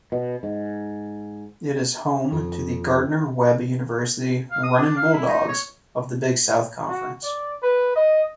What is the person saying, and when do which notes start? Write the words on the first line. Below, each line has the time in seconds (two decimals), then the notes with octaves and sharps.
It is home to the Gardner-Webb University Runnin' Bulldogs, of the Big South Conference.
0.12 B2
0.43 G#2
2.32 F2
4.51 F5
4.63 D#6
4.78 D4
4.96 F5
5.13 E4
5.28 D#4
5.48 C#5
6.88 F#4
7.23 D5
7.62 B4
7.95 D#5